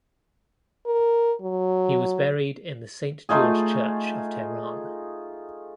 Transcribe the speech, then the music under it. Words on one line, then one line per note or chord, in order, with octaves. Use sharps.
He was buried in the Saint George Church of Tehran.
A#4
F#3
A3 D#4 F4 G#4